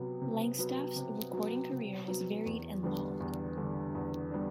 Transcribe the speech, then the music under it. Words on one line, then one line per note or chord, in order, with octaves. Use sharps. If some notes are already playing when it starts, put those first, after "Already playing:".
Langstaff's recording career was varied and long.
Already playing: C3 F#3 B3
C3
F#3 B3
C3
F#3 B3
C3
F#3 B3
E2
D3 G3 B3 D4
E2
D3 G3 B3 D4
E2
G3 B3 D4